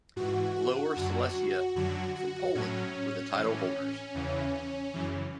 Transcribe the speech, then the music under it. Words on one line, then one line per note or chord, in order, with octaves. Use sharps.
Lower Silesia from Poland were the title holders.
G#2 E3 F#4
F#2 D3 F#3
F#2 D3 F#3 F#4
F#4
A2 F#3 C#4
A2 E3
E2 C#3 E3
F#2 C#3 E3